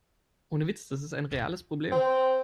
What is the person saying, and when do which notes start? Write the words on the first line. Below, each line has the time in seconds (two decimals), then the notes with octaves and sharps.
Ohne Witz, das ist ein reales Problem.
1.92 C4